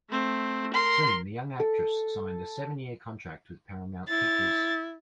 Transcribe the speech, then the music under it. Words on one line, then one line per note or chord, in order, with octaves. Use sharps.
Soon the young actress signed a seven-year contract with Paramount Pictures.
A3 C4
A#4 C6
A4
E4 A6